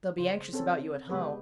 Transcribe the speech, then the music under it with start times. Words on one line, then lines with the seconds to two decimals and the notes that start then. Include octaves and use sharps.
They'll be anxious about you at home.
0.18 C#3 C5
0.53 C4 C#4 A4
1.09 C#3 G#3 B3 G4 B4